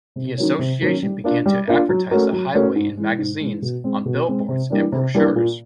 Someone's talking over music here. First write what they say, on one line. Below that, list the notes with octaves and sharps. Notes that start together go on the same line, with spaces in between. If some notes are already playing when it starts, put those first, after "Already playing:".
The association began to advertise the highway in magazines, on billboards, and brochures.
C3
D#3 F#3 A#3 C#4
C3
D#3 F#3 A#3 C#4
G3
A#3 D4 F4
G3
A#3 D4 F4
F#3
A3 C#4 F#4 A#4
F#3
A3 C#4 F#4 A#4
G#2
E3 G#3
G#2
E3 G#3
B2
G#3 C4
B2
G#3 C4
C3
E3 G3 A#3 D4
C3
E3 G3 A#3 D4
A#2